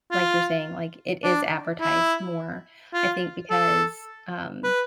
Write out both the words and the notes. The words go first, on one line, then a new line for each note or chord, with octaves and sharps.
like, you're saying, like, it is advertised more, I think because, um
F4
D4
E4
F4
A4
B4